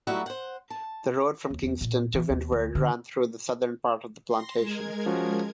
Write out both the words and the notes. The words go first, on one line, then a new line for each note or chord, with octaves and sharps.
The road from Kingston to Windward ran through the southern part of the plantation.
F#3 G3 A3 D#4 E4 F#4
C5 F#5
A5
D#2
E2
A#2
E3
D#2
D2
D3
C6 A#6
G#3 A#4 G#6
F3 C#4 F#4